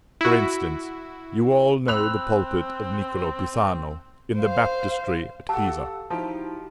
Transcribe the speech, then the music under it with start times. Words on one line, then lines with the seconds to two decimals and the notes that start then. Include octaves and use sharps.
For instance: you all know the pulpit of Niccolo Pisano, in the baptistry at Pisa.
0.21 E4 F#4
1.88 C4 B5 E6 F#6 F7
4.36 C5 F5
5.49 F#4 G4 A4 F5 A5 E6
6.10 F3 D#4 E4 F#4 G4